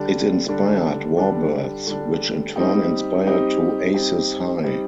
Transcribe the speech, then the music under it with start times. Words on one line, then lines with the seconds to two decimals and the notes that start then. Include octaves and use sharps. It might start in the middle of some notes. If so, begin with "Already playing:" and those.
It inspired "WarBirds", which in turn inspired to "Aces High".
Already playing: D3 G3 D4
0.48 D3 G3 D4
1.17 D3 G3 D4
1.87 D3 G3 D4
2.56 G3 C4 D#4 G4
3.26 G3 C4 D#4 G4
3.94 G3 C4 D#4 G4
4.64 G3 C4 D#4 G4